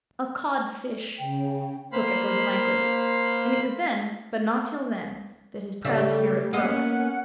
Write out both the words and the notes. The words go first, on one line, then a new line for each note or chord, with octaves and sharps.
"A codfish!" Hook echoed blankly, and it was then, but not till then, that his proud spirit broke.
C#3 G5
A#3 C5 F5 B5
C#3 G3 A3 G4 D5 E5
A#3 B3 C#4 D#5 F#5